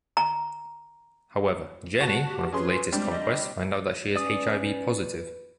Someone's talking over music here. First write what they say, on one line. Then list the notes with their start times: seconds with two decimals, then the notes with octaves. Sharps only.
However, Jennie, one of his latest conquests, finds out that she is HIV positive.
0.17 A#5
2.01 F#4 A5
2.28 G4
2.52 C#4 G#4 B4 C6
2.92 G3 G#3 C4 D4
3.10 D#5
4.16 C#4 B4 D5 D#6